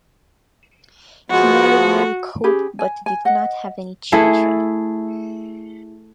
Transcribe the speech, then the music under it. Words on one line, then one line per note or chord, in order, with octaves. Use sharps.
He married Mary Cope but did not have any children.
F3 G#3 B3 F#4
C#4 G4 G#4 B5
G#5
G#5
D#5 F#5
A3 E4 G#4 A4